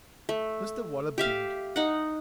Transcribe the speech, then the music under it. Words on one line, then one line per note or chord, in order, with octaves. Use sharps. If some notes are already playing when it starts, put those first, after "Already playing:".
Mr Waller beamed.
A3
G4 E5 F5
D#4 F#5